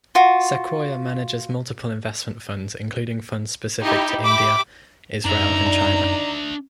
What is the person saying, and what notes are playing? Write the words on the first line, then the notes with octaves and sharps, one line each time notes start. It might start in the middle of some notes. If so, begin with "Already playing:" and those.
Sequoia manages multiple investment funds including funds specific to India, Israel, and China.
F4 F#4
D#4 E4 G4
G4 E5 B5 D6
F#2 D4 D#4 D5 E5 A#5